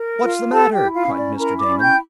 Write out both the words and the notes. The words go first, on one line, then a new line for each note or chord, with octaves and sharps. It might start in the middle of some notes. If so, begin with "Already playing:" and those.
"What's the matter?" cried Mr. Damon.
Already playing: A#4
F4
G4 A4 A5
G4 G5
E4
F4 F5
C#4
D5
E4 A#4 A#5
D5 D6
C#4
G5 G6